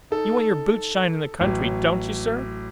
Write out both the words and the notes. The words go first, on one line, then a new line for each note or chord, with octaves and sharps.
"You want your boots shined in the country--don't you, sir?"
D#4 A4
A1 F#3